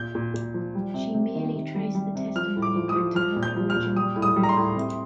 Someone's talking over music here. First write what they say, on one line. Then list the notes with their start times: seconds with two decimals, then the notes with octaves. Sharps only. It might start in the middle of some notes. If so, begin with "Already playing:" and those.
She merely traced the testimony back to her original core.
Already playing: A#2 G6
0.15 A#2
0.34 A#2
0.54 F3
0.75 G3
0.94 C3
1.14 C3
1.35 D#3
1.55 C3
1.75 G3
1.95 G3
2.15 C3
2.36 F3 F6
2.56 A2
2.62 D6
2.76 F3
2.89 D#6
2.96 F3
3.15 F3 F6
3.36 A#2
3.43 G6
3.56 F3
3.70 F6
3.76 A#2
3.96 G3 D#6
4.16 A2
4.22 D#6
4.36 G3
4.43 A#5
4.49 C6
4.57 A2
4.76 C3